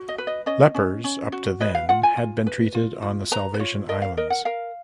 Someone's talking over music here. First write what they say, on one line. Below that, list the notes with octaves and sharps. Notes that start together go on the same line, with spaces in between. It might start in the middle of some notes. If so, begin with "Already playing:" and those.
Lepers up to then had been treated on the Salvation Islands.
Already playing: F#4
D#5
B4
D#5
C#4 D#5
C#4
C#4
F#4
B4 D#5
F5
F4 F#5
G#5
F4
B4
F4
F4
B4 A#5
B4
F4 C#5
A#4 D#5
F5
A#4 D#5
F#5
A#4 F5